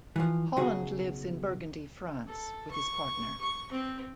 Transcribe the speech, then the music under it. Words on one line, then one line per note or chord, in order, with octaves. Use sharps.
Holland lives in Burgundy, France with his partner.
E3 F3
B1 C#3 F#3 F#4 G#4
A4
C#6
C#6
C4